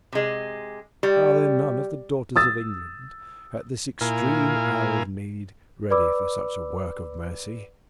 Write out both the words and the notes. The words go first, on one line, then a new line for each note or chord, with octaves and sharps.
Are there none of the daughters of England, at this extreme hour of need, ready for such a work of mercy?
C3 G#3
G3 G4
G4
D#6 E6 A6
A#2 E4 A#4 F5 G#5
B4 D5 B5 D6 E6